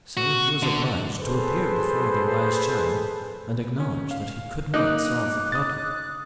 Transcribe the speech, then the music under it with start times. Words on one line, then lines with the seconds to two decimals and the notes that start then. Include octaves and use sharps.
So he was obliged to appear before the wise child and acknowledge that he could not solve the problem.
0.17 F#4
0.63 D3
1.19 G#4 A4 B4 C5
3.80 C#4
4.11 F5
4.74 A#3 D#4 D6 F#6
5.52 D#6 A6